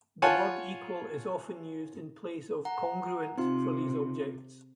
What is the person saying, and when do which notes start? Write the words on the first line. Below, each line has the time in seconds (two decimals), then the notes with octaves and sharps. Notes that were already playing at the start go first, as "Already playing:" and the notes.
The word "equal" is often used in place of "congruent" for these objects.
0.22 F4 C#5 F#5 G#5 A5
2.65 F#5 A#5
3.38 C3 C4 D#4 F4 C6